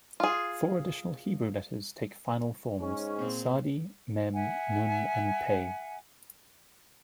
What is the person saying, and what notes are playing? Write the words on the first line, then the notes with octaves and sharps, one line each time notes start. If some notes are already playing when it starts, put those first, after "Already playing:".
Four additional Hebrew letters take final forms: tsadi, mem, nun, and pei.
F4 G#4
G#2 C#4
A#2 C4 G#4
E5 F#5 G#5